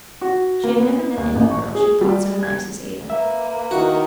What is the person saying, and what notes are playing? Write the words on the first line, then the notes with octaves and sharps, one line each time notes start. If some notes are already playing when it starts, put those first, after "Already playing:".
She had never met any girl she thought so nice as Ada.
F#4
A#3
B3
D#2
A1
C#6
G#4
G3
G#6
A#3 B4 E5
D#3 E4 F#4